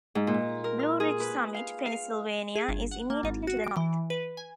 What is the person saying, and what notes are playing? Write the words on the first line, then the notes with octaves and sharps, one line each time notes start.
Blue Ridge Summit, Pennsylvania is immediately to the north.
G#2
A#2
A#4
F6
G#4
B4
F5
F5
G#4
G1
F#5
A#3
G#1
F#4
D7
E3
B4
G#5